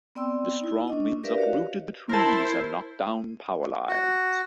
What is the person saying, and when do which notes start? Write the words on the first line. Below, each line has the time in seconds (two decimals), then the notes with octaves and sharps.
The strong winds uprooted trees and knocked down powerlines.
0.15 B3 C4 D5 G5 C6 E6
0.60 D#4 E4
0.88 C#4 D4 D#5
1.23 G4 A#4 B4 D5 E5 F5
1.38 F#4 C#5 D#5 F5
2.09 E4 A#4 C5 A5
3.89 F#4